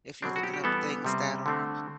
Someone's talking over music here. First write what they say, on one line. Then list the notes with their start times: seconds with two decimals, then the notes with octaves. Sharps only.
if you're looking up things that are
0.22 B2 F#3 C4 D4
0.36 F#4
0.43 G4
0.54 G4
0.64 E3 G3 B3 A4
1.04 C3 G3 C4
1.46 D3 A3 C4